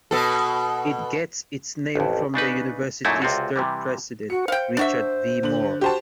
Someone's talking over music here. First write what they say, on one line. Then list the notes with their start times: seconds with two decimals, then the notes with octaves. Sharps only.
It gets its name from the university's third president, Richard V. Moore.
0.11 B2 A4
1.95 A1 F2
2.34 C#3 D4 D#4 B4
3.05 F#2 A#2 F#3 A3 D#4 E4
3.22 C#2 C3 C4 F4 F#4
3.56 C3 E3 G3
4.30 F#4 C#7
4.48 C5 F5 G5
4.77 D4 F#4 E5
5.43 D3 F#7
5.81 F#4 G4 C5 A5